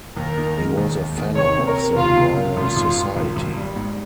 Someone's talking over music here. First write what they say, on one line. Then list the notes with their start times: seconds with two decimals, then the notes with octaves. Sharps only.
He was a Fellow of the Royal Society.
0.17 D#2 A#4
0.37 D#3
0.57 G#3
0.77 D#2
0.97 D#2
1.17 D#3
1.36 C3 C#5
1.57 C4
1.67 A#4
1.77 C3
1.96 C#2 F4
2.17 C3
2.36 C3
2.57 G#1 F4
2.76 G#1
2.97 G#1
3.16 G#1
3.36 G#1
3.57 G3
3.76 G#2